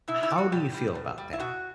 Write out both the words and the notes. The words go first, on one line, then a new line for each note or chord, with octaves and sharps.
how do you feel about that?
B2 E4
E4
G3
F#4
B2 G4
G3
B2
G3
E4
B2 F#4